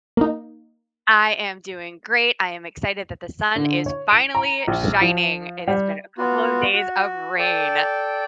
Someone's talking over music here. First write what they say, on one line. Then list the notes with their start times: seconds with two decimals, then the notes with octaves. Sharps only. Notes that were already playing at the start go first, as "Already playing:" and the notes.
I am doing great. I am excited that the sun is finally shining. It has been a couple of days of rain.
0.17 A#3 D#4
3.56 D3
3.86 C#5
4.11 D7
4.35 A#5
4.68 A#1
5.01 F3
5.68 G3
6.18 B3 F4 F#4
6.73 F#4
7.39 A4 D5 G5